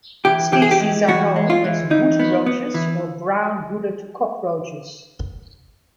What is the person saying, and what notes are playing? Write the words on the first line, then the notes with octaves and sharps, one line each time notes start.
Species are known as wood roaches or brown-hooded cockroaches.
E3 G4
E3 G4
G#4
G4
G#3
E3 F#4
G#3
F4
E3
E3 D#4
B3
B3
E3